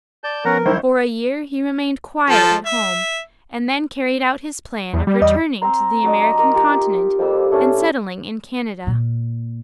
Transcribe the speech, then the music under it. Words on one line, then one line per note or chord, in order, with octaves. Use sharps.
For a year he remained quiet at home, and then carried out his plan of returning to the American continent and settling in Canada.
D5 A5 G6
F3 B3 C#4 A#4 B4 F#5 A#5
F#1 D#3 F3 G3 E4 C5 G#6
F3 A4
E5
E2
G3
E2 D#5
C4 A#5 C6
F#3 D4 D#5
D#4 A#4 D6
F4 G4 A#4
F2 G3 A#3 E6
A2 C#4 D4 A4
A#2